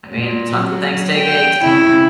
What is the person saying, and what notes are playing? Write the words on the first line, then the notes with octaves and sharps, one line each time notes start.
I mean, tons of things take eggs.
A#2
F#3
G5
C#3 E4